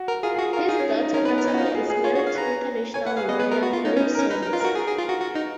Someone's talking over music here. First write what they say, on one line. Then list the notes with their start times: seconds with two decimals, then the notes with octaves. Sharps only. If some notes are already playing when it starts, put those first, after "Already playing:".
His daughter Natalia is married to international lawyer Philippe Sands.
Already playing: F#4
0.08 A#4
0.23 F4 G#4
0.35 G#4
0.39 F#4
0.53 A#4
0.57 F4
0.68 D#4 G#4
0.79 C#4
0.91 D#4
1.02 D#4
1.14 C#4 A#4
1.25 B4
1.28 B3
1.37 A#4
1.45 C#4
1.47 D#4
1.54 F#4
1.58 D#4 F4
1.75 G#4
1.90 G#4
2.04 F4 C#5
2.15 F#4
2.19 C#5
2.27 F5
2.35 B4 A#5
2.94 C#5 G#5
3.05 B4 F#5
3.17 G#4 F5
3.28 B3 D#5
3.39 B3 B4
3.51 A#4
3.63 F#4
3.73 F4
3.85 C#4 D#4
3.97 C#4
4.01 D#4
4.15 A#4
4.19 C#4
4.30 D#4 B4
4.42 D#4
4.46 A#4
4.53 F4
4.60 A#4
4.64 F#4
4.75 G#4
4.87 G#4
4.98 F4
5.09 F#4
5.21 F#4
5.35 D#4